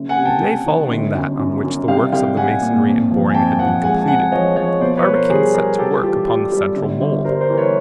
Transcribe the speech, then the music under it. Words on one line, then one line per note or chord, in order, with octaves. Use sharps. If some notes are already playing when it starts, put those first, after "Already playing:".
The day following that on which the works of the masonry and boring had been completed, Barbicane set to work upon the central mould.
Already playing: F#1
F#5 G#5
C3
G5 A5
C3
D#3
G1
F#2
F#2
F#2
C2 F5 G5
C2 F5 G5
C2 F#5 G#5
A#2
F2
F3
G#5
F2 G5 A5
F3 F#5 G#5
G#3 F#5 G#5
A5
F2 F#5 G#5
F3 C#5 D#5
F3 C#5 D#5
B2 C5 D5
B4 C#5
B2
A#4 C5
G3 G#4 A#4
G3 G#4 A#4
G3 G4 A4
E3 F4 G4
G3 F4 G4
G3
G1
G1
G2 A#4 C5
A#4 C5
E3
B4 C#5